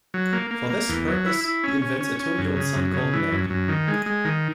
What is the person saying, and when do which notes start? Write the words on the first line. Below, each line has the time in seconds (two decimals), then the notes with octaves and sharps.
For this purpose, he invents a two-year-old son called Ned.
0.14 F#3
0.33 A#3
0.51 A#3
0.70 A#3
0.89 E2
1.08 F#3
1.26 E4
1.44 E4
1.63 C#4
1.82 C#4
2.01 C#4
2.20 C#4
2.38 F#2
2.57 C#3
2.75 F#2
2.94 C#3
3.13 E3
3.31 F#2
3.50 F#2
3.68 D#3
3.87 G#3
4.06 G#3
4.25 D#3